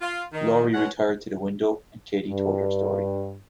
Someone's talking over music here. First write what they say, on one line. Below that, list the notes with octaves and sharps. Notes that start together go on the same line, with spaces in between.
Laurie retired to the window, and Katie told her story.
F4
D#3
B2 G#3 C#4 B4 C#5 F#5
G2